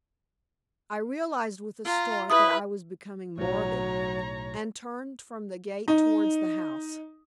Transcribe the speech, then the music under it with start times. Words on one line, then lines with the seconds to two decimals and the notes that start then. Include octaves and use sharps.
I realized with a start that I was becoming morbid, and turned from the gate towards the house.
1.84 F4 A#5
2.30 E4 B4 D#6
3.38 B1 A2 F#3 C#5 A#5
5.88 D#4